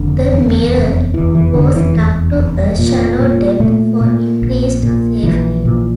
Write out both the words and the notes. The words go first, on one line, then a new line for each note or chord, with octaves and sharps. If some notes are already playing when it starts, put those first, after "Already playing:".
The Meare was dug to a shallow depth for increased safety.
Already playing: F1 D3
E2
F1
E2 E3
E3
F1 D3
E3
E2
F1
A#2
A#2
A#2 A3
A#2
A#1
A#2
A#1 E3
A#2